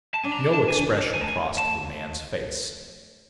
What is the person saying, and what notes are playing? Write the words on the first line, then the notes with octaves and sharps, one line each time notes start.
No expression crossed the man's face.
A5
D4 G#5
A#5
A5
A5
G#5
A3 G#5
A5
G#5
A3 A5